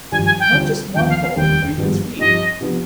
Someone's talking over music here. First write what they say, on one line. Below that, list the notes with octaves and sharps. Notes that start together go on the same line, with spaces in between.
Not just one hole, or even three.
G#1 G2 F3 G#5
G#5
G5
D2 C3 G3 D4 F4
D#2 D3 F3 B3 G5
F5
F5
F1 D#2 D#3 G3 C4 G5
G#1 G2 F3 G#3 B3
G2 F3 C4 D#4 G4 D#5
C3 F3 B3 D4